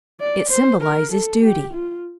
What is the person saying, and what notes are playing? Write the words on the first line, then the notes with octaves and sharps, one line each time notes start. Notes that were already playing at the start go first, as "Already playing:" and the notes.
It symbolizes duty.
D5
C5
A#4
A4
G4
F4